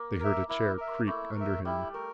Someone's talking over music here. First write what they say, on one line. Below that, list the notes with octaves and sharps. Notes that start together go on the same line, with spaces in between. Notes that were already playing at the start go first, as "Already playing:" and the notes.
They heard a chair creak under him.
Already playing: A#3
A#4 E5
A#3 E4
A#4 E5
A3 E4
A#4 E5
G3 E4
A3 A#4